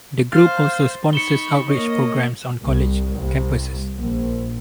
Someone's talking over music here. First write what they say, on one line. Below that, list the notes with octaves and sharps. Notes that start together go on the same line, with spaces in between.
The group also sponsors outreach programs on college campuses.
C5 F5 A6
D#4 B5 C#6 C#7 E7 G7
A#3 C#5 D#5
C2
C2
A#1